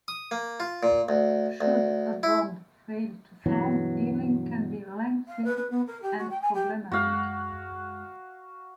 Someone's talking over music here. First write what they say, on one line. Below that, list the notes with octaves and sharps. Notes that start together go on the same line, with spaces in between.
Should a bond fail to form, healing can be lengthy and problematic.
D#6
A#3
F4
A#2
D2
D2
E4
G2 B2 E3 F#3
F5
B4
B4
B3
A#4
G4
F#4
G5
G#5
G4
F#2 G#3 F#4 F5 F#6